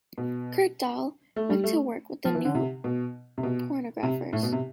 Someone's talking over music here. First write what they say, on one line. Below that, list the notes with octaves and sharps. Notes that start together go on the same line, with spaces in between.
Kurt Dahle went on to work with The New Pornographers.
B2
A3
G3
A3
F3
E3
D3
C3
B2
C3
B2
C3
A2
B2
C3